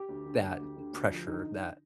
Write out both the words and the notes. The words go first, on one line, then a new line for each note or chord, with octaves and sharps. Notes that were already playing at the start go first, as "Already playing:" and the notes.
that pressure, that
Already playing: G4
D2
D3
D2
D2
D3
D2
F3
D3 D#4